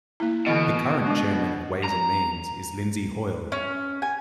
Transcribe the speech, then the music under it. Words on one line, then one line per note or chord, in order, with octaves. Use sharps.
The current Chairman of Ways and Means is Lindsay Hoyle.
A#3 E4
B2 D3 E3 D#5
G#3 D4
A#5
C#4
G#5